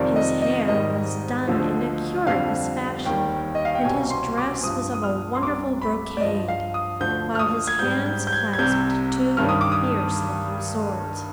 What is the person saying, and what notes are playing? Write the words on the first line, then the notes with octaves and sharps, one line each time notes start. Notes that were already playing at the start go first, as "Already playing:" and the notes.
His hair was done in a curious fashion and his dress was of a wonderful brocade, while his hands clasped two fierce-looking swords.
Already playing: F2 C3 D#3 G3 D5
D#5
D#5
G#2 D#3 G3 D#5
D2 D3 F3
F2 D3 G3 F5
D#2 D#3 G3 G5
D#5
F5
G5
C2 B2 G3 G#5
C6
D6
G2 F3 D#6
D#6
F6
C6
C2 C3 G3 D6
B5
D5
G2 F3 D#5
F5
D#6
D2 D3 F3 G6
F6
D#6
G#6
G#2 G3 G6
G6
G6
G#6
G#6
C2 C3 G3 G6
G2 D#3 G3 F6
D#6
D6
D#6